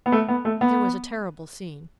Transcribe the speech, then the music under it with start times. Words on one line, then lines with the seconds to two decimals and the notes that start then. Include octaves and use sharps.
There was a terrible scene.
0.06 B3
0.12 A3
0.28 B3
0.45 A3
0.61 B3